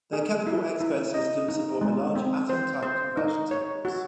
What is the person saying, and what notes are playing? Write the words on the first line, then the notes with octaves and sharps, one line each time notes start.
Their chemical expert systems support a large atom type conversion tables.
G#4
E4
E4
D#5
D#4
G#3
C4
C5
C5
D#4
C#5
F#4